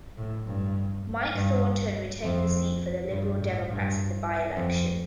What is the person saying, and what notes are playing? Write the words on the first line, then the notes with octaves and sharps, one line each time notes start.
Mike Thornton retained the seat for the Liberal Democrats in the by-election.
A2
G2
G2
F2
G2
A2
G2
F2